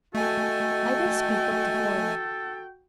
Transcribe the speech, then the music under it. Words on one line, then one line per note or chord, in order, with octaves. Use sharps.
I will speak of the former.
A3 F#4 A4 D#5 G5 G#5